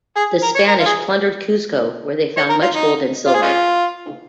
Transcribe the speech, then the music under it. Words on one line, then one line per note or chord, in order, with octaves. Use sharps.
The Spanish plundered Cuzco, where they found much gold and silver.
G#4
A#4
C#5
A#4
F4
G#4
C#5
A#4
F4
D#4
F4
G#4
G#3 C#4 F4